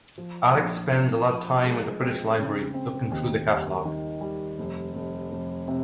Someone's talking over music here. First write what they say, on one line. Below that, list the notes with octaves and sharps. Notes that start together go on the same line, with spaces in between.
Alex spends a lot of time at the British Library, looking through the catalogue.
F3
A#1
F3
F3
G#3
C4
C#3
C4
D#2
G3
D#3
G3
F1
F1
F1
C3